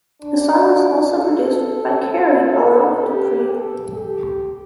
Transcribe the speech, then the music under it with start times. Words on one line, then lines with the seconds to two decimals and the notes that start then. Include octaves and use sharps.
The song was also produced by Carey along with Dupri.
0.22 D4
1.17 A4
2.10 A4
3.04 G4
3.51 A4
3.99 G4